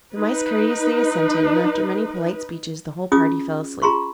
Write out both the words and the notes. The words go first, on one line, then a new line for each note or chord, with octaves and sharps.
The Mice courteously assented, and after many polite speeches the whole party fell asleep.
D#4 B4
C#4 E4 F4 G#4 D6 D#6
F4 G#4 A#5 C6 C#6